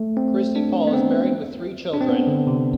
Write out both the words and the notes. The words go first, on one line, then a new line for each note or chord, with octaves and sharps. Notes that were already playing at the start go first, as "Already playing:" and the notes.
Christi Paul is married with three children.
Already playing: A3
C4
D4
B3
C4
D4
C4
B3
D3
C3